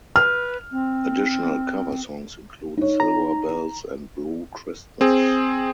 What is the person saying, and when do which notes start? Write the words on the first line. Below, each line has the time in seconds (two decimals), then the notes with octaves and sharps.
Additional cover songs include "Silver Bells" and "Blue Christmas".
0.16 B4 F6
0.71 C4
2.77 D#4 C#5
3.00 A#5
5.01 C4 G#4